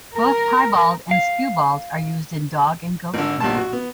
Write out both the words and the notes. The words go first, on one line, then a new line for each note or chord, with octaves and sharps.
Both "piebald" and "skewbald" are used in dog and goat breeding.
A#4
F5
G#1 D3
B1 G2 A#2 A5
F#4
B3